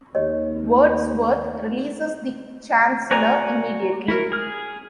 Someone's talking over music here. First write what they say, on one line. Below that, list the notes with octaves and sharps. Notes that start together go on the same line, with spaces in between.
Wordsworth releases the Chancellor immediately.
D#2 G4 C#5 D#5
F#4 D5 G#5 A#5
E4 F#4 A#4
G#4 F6